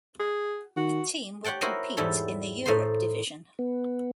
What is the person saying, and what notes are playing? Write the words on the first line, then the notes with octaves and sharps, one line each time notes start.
The team will compete in the Europe division.
G#4
D#3 F#4
G4 C#5 F#5 G5 A5
E4 F#4 A#4 C5 C#5 D#5
E2 G#2 G3 E4 A4 C#5
A2 A3 D#4 C5 C6
B3